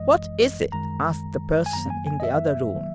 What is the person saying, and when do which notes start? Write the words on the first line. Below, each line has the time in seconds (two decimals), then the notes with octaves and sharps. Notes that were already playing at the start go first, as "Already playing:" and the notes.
"What is it?" asked the person in the other room.
Already playing: G#1 F#2 E3 G#3 D#5
0.72 F#2 D#3 G#3 A#5
1.66 G#5
1.73 F#2 D#3 F#3 A#3 A#5
1.90 G#5
2.07 G#5
2.20 D#5
2.23 E5
2.75 D#3 F#3 A#3